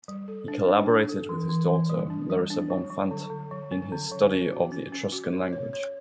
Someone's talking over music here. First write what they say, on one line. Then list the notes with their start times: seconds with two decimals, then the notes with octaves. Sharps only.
He collaborated with his daughter, Larissa Bonfante, in his study of the Etruscan language.
0.08 G3
0.28 A4
0.48 D4
0.69 D4
0.88 D4
1.09 A4
1.29 E3
1.49 E3
1.69 E3
1.90 G3
2.10 D4
2.30 G3
2.50 D4
2.70 F#3
2.90 F#3
3.11 D3
3.30 D3
3.51 F#3
3.72 C#4
3.92 D3
4.12 F#3
4.32 C#4
4.52 F#4
4.72 C#4
4.92 C#4
5.12 F#4
5.33 C#5
5.53 C#5
5.73 C#5